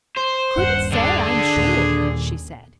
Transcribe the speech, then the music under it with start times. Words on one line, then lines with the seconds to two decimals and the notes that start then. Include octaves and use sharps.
"Couldn't say, I'm sure," she said.
0.17 C5
0.57 D#1 G2 F#5
0.92 D3 D4 G#4
1.57 D#2 A#2